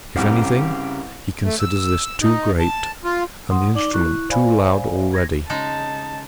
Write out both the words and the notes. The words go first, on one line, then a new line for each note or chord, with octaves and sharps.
If anything, he considers this too great and the instrument too loud already.
C2 G2 C#3 G4 A#4
A3
E6
D#4
A5
F4
F#5 C6 D#6
D#4 D5 D6 F#7 G7
E4 C#6 F#6
C5 D5 F5 G#5 B5
G#6 A#6
C#3 G#3 D#4 A5